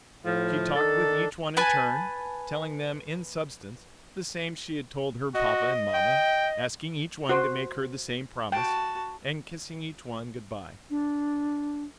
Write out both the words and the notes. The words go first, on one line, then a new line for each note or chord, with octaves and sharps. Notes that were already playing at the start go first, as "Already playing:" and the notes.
She talked with each one in turn, telling them in substance, the same she had told her papa and mama, asking each one to make her the same promise, and kissing each one good-bye.
A2 F3
D#3 D4 A4
B4 G#5 A5
F#4 D#5
G5
F#4 C5
F#4 G5 A5
D4